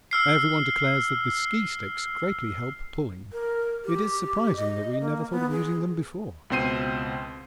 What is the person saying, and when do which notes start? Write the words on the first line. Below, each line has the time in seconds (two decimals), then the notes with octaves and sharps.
Everyone declares that the ski sticks greatly help pulling; it is surprising that we never thought of using them before.
0.11 E6 F6 C7
3.32 A#4
3.85 G4
4.56 D#5
5.01 A#3
5.31 B3
5.51 G#4
6.50 C#2 B2 C4 C5 C7 D#7